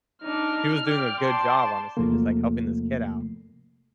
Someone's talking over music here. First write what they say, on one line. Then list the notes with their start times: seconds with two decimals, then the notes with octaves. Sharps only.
she was doing a good job, honestly, just, like, helping this kid out,
0.23 D4 D#4 F6
0.88 D5 G5
1.20 A5 C6
1.97 E2 C3 F3 A3 A#3